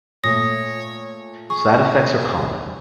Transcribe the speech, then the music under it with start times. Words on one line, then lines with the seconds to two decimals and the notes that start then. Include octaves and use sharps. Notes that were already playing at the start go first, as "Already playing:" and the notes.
Side effects are common.
0.24 A#2 A3 C#5 D#6 A#6
1.50 G#4 C#6